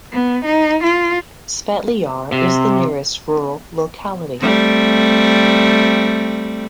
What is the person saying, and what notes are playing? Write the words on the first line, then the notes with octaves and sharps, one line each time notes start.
Svetly Yar is the nearest rural locality.
B3
D#4
F4
C3
G3 A3 C4